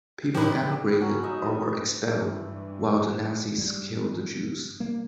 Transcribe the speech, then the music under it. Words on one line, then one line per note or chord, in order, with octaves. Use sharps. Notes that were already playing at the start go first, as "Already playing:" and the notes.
People emigrated or were expelled, while the Nazis killed the Jews.
A2 F3 G4 B4
F#3 C#4
D#4 D#5 E5
G2 E3
G2 G3
C3 G3 A#3